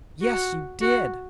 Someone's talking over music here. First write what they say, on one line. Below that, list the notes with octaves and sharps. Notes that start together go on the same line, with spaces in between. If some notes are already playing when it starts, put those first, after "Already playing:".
"Yes, you did."
F#4
F#4